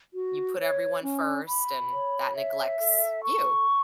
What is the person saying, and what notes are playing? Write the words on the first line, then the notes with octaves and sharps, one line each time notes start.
You put everyone first and that neglects you.
F#4
C#5
C#4
B5
C#5
E5
A4
C#6